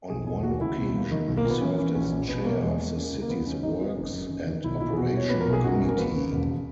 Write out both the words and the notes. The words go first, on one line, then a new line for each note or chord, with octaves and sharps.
On one occasion, he served as Chair of the city's Works and Operation Committee.
B1 G#4
E1 G#4
D#2 F#4
C#2 E4
B2
D#2
D#3
B1
A#3
A#2 B3
E3 C#4
E3 C#4
A#1 C#4
A#1
B2 B3
B2 A#3
E2 G#3
E2
C#3 A#3
C#2
A#3
D#2 B3
D#3 C#4
G#1 D#4
G#1
F#1 C#4
F#2
D#3
D#3
B1 E4
D#4
A#2 E4
G#4
B2 F#4
B2 C#5
A#2 B4
A#4
B1
G#4
F#2 F#4
G#1
A#4
D#2 B4
C#3
E1